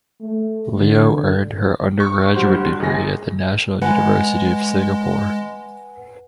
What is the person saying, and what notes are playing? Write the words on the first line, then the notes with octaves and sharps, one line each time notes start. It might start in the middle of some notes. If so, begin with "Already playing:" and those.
Leo earned her undergraduate degree at the National University of Singapore.
A3
D3
C#6
G1 G2 F#4 G4 C5
G#1 G#4 A#6
G#3 B4 F#5 G#5